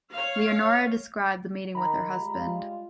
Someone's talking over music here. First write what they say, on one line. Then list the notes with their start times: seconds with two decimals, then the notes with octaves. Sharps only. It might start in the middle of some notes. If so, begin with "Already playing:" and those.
Leonora described the meeting with her husband.
0.13 C#5 F5
1.75 D#3 A#5 B5
2.17 G3 G#3 F4